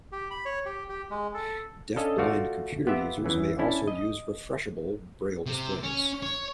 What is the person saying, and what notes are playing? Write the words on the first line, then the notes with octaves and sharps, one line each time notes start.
Deafblind computer users may also use refreshable braille displays.
G4
B5
C#5
G4
G4
G#3
A4
C#4 D4 A4 D#5 F5
A3 F4 F#4 D5 F5
B3 F4 G4 E5
E2 E3 C#4
C#4 D4 E4
D#5
C3
C#4
C#5